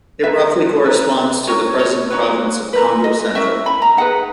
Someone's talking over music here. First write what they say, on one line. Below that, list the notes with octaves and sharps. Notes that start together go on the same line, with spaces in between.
It roughly corresponds to the present province of Kongo Central.
D#4 G#4 B4 E5
D#4 G#4 B4
C#4 F#4 A#4 C#5
C#5
D#4 F#4 B4 C#5
E4 A#4 B4
D#5
C#4 E4 A#4 E5
B5
A#5
D#4 G#4 B4 F#5